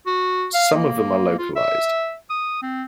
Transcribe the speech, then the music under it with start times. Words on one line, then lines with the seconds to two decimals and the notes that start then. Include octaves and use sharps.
Some of them are localized.
0.06 F#4
0.54 F5
0.74 A#3
1.38 F4
1.56 E5
2.30 D#6
2.63 C4